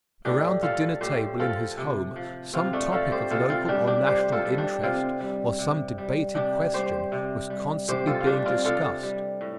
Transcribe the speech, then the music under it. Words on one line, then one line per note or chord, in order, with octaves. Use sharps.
Around the dinner table in his home some topic of local or national interest, or some debated question, was constantly being discussed.
A2 D4 G4
F3 F4 A4
A2 G4 C5
F3 F4 A4
C3
F3
C3 C4 F4
A3 D4
F3 F4 A4
G4 C5
C3 F4 A4
C4 F4
G3 D4 G4
D4 G4
C3 G4 C5
F4 A4
G3
D4 G4
C3 C4 F4
G3
C3
G3
C3 D4 G4
G3 G4 C5
C3
G3
C3 G4 C5
F4 A4
F4
G3 D4 G4
C4 F4
C3 F4 A4
G3
A2